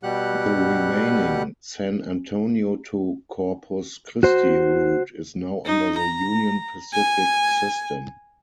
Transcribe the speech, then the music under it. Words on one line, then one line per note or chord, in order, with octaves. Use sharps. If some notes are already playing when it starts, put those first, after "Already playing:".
The remaining San Antonio-to-Corpus Christi route is now under the Union Pacific system.
B2 G3 G4 F#5 F#6
F#4 C5
D#4
A#5
G#5